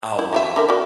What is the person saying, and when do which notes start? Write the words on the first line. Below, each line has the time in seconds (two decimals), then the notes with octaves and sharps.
Oh, wow.
0.19 E4
0.33 F#3 G4 E5
0.56 D3 A#4 E5
0.69 F#4 A#4 D5